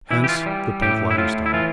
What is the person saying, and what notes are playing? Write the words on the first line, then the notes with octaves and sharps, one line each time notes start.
Hence the pink limestone.
E3 E4
G4
F4
G3
A2 G4
E4
A2 F4
E4
E3 F4